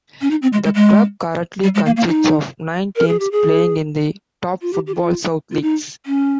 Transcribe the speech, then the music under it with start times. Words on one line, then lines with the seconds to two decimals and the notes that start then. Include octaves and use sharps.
The club currently consists of nine teams playing in the top Footballsouth leagues.
0.21 C#4
0.31 D#4
0.42 C4
0.53 G#3
0.64 G#3
0.75 G#3
1.63 G3
1.75 G#3
1.86 A#3
1.97 A#3
2.08 D#4
2.96 A#4
3.08 G#4
3.19 G4
3.32 G#4
4.62 F4
4.73 G4
4.87 G4
4.95 F4
5.51 F4
5.62 D#4
6.06 C#4